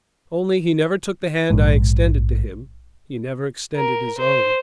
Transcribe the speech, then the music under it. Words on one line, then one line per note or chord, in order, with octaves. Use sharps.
Only, he never took the hand I extended to him. He never extended his own.
A#1 G#2
A#4
C5